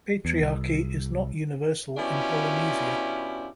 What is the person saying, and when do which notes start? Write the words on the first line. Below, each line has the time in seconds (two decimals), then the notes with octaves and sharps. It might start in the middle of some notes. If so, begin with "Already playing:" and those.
Patriarchy is not universal in Polynesia.
0.25 E2
0.42 C2
1.97 B2 C#4 D4 E4 F4 G4